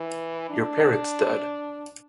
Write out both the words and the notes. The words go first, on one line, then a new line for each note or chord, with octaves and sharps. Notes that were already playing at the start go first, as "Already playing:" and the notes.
Your parrot's dead.
Already playing: E3
D4